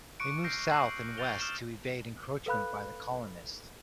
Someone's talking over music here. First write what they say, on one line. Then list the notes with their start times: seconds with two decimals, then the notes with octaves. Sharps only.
They moved south and west to evade encroachment by the colonists.
0.20 C#6 D6 F#6 C#7 D7
0.44 E6 F6 G6 A#6 C7 D7
0.71 F#6 A#6 C7 F#7
0.85 C7 D7
1.17 G6 A6 D#7 F7 G7
1.39 D#6 F6 C7 E7 G7
2.46 A4 B4 F5 B5 F#6